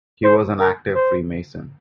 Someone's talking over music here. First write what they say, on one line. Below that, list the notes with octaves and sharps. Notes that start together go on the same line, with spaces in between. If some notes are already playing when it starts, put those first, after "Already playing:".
He was an active Freemason.
C5
A#4
C5